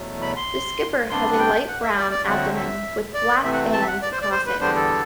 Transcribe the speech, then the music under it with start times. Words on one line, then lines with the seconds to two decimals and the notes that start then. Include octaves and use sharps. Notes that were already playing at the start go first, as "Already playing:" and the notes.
The skipper has a light-brown abdomen with black bands across it.
Already playing: E2 B2 F#3 A3
0.22 B5
0.36 C6
1.10 C3 G3 B3 D4 C6
1.33 F#5
1.39 G5
1.68 F#5
1.83 E5
1.97 D5
2.11 D5
2.26 D2 D3 F#3 A3 C4 F#5
2.56 E5
3.14 D5
3.43 C3 E3 A3 C4 E5
3.53 F#5
3.73 A5
3.81 E5
3.87 F#5
4.02 D5
4.12 C5
4.22 D5
4.31 C5
4.46 B4
4.60 E2 D3 G3 B3 D4 C5
4.76 A4